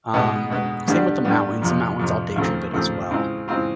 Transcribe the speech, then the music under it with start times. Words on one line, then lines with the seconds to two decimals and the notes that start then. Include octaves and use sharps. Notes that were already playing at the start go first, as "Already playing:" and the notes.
um, same with the mountains, the mountains I'll day trip it as well.
0.14 B2 G#3 B3
0.50 B2 G#3 B3
0.88 G2 D3 G3 B3
1.24 G2 D3 G3 B3
1.62 F2 C3 F3
1.99 F2 C3 F3
2.36 D#2 C#3 F3 A3 C4
2.74 D#2 C#3 F3 A3 C4
3.11 C#3 E3 G#3 C4 F4
3.48 C#3 E3 G#3 C4 F4